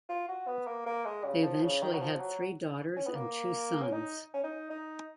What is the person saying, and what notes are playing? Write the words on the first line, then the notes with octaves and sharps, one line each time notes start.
They eventually had three daughters and two sons.
F4
F#4
B3
A#3
A#3
G#3
C#3
F3
C#3
D#3
F#3
F3
F#3
C#4
B3
A#3
C#4
D#4
C#4
D#4
D#4